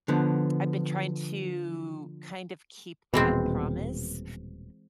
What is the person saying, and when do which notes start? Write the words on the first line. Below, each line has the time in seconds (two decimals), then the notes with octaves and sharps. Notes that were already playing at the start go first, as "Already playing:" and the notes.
I've been trying to kind of keep that promise,
0.08 D3 F3 B3
3.14 D#1 B2 E3 G#3 C4